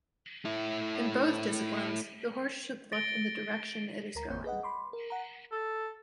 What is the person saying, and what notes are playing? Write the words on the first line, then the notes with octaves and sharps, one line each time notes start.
In both disciplines, the horse should look in the direction it is going.
A3 E4
A6 A#6 D7 G7
D2 A#4 A#5
A1 F2 A#3 C4 C#5 G6
G#4 B4 D#5 F#5
B5 C6 D6
A#4
F#5 A#5
A4